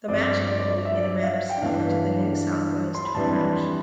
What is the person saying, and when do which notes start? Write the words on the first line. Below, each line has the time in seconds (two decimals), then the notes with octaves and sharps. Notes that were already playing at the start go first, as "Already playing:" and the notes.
The match unfolded in a manner similar to the New South Wales tour match.
0.08 G2 F3 C4 D5
0.46 D5
0.85 E5
0.95 D5
1.04 E5
1.23 F5
1.49 G5
1.62 G2 E3 B3 D4 F5
2.95 C6
3.05 B5
3.15 F2 E3 G3 D4 A5
3.34 B5
3.53 C6